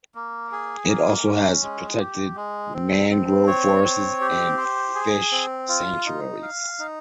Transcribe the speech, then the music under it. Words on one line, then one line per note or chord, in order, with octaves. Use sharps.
It also has protected mangrove forests and fish sanctuaries.
A#3
G#4
A#3
C#4
G#3
G4
G#3
C4
C4
C#5
C4
G4
C5
G#4
C4
F4
D#4
F5
D#4